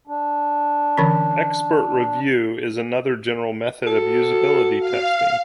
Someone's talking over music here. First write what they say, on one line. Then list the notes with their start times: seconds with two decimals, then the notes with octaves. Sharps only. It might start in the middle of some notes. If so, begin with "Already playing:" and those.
Expert review is another general method of usability testing.
0.07 D4
0.98 D3 E3 C#4
3.87 F#4 A4
4.79 F5